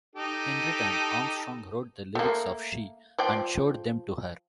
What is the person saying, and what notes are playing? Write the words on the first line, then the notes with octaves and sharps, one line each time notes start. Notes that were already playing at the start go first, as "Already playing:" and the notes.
In return, Armstrong wrote the lyrics of "She" and showed them to her.
D#4 G4 A4
A3 A#3
F3 D5 G5